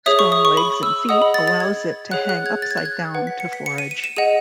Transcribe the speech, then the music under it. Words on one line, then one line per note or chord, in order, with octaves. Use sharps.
Strong legs and feet allows it to hang upside down to forage.
G#4 C#5 E5 D#6
C#6
D#6
C#6
B5
E6
G#4 D#5 F#5 D#6
B5
A6
A6
G#6
G#4 C#5 F#5 F#6
F#6
G#6
A6
G#6
F#6
G#6
B4 F#5
B6
C#7
B6
C#7
D#7
D#7
E7
G#4 D#5 F#5 D#7